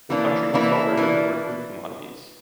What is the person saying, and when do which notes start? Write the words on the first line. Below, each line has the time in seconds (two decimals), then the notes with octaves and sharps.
The country must already import food commodities.
0.10 E3 A#3 D4
0.54 E3 A#3 D4 E4
0.97 E3 A#3 D4